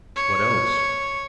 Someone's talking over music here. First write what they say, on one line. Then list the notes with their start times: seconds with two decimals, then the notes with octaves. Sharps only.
"What else?"
0.16 C#5